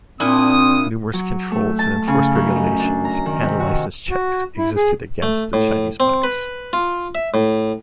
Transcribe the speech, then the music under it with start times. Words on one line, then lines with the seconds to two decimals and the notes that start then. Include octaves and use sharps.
Numerous controls and enforced regulations and licence checks existed against the Chinese miners.
0.20 A#2 C4 D4 E4 D#6
1.13 F#3
1.52 A3
1.79 A5
2.08 C#3
2.35 F#2
2.56 D#4
2.80 D4
3.05 A#5
3.26 D#3
3.42 C3
3.60 F#4
4.11 F#4
4.57 E4
4.76 G#4
5.22 A3
5.53 A2
6.00 C4
6.24 B4
6.73 F4
7.15 E5
7.34 A2